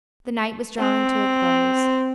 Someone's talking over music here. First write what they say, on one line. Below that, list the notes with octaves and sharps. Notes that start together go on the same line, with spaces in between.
The night was drawing to a close.
C4